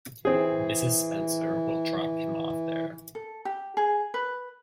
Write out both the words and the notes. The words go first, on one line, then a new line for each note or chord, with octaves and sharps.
Mrs. Spencer will drop him off there.
E3 C4 G#4
A4
G4
G#4
B4